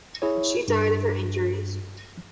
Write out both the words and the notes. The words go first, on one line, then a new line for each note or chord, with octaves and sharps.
She died of her injuries.
E4 G#4 C#5
G2